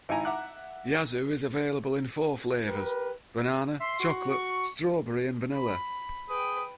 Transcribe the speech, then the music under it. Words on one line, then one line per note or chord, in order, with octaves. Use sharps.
Yazoo is available in four flavours; banana, chocolate, strawberry and vanilla.
G#1 D#4 E4 G#5 A#5
E5 F#5 A#5 D6 F#6
G4 A#4 B4
E5 C6
F#4
C#6
B5
G#4 B4 G5